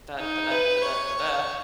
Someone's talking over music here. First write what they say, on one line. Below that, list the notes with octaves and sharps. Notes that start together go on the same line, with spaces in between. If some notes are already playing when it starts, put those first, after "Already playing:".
,"dah, da dah, da dah, da dah,"
D#4
B4
C#5